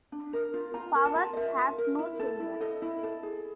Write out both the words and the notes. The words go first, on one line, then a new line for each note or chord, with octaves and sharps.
Powers has no children.
D4
A#4
F4
F4 A#5
A#4
A5
F4
D#5
A#4 E5
F4
A#4
E4
A4
E4
A4 D#5
E4
A4
G#4